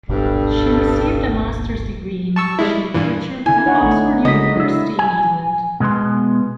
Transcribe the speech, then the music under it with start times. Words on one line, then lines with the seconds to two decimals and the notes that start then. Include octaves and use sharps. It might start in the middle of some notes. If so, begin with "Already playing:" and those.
She received a master's degree in English literature from Oxford University in England.
0.09 D1 G#1 G2 B2 A4
2.36 A5 C#6 E6
2.59 G3 G#3 E4
2.94 G2 A#2 E3
3.46 D3 E4 G#5
3.64 D#4 C#5 F#5
3.82 A1 A3
4.25 C#3 G#3 F#4 D#5 B6
4.57 D4 E4 E6
4.99 G#5
5.80 B2 G#3 B3 C6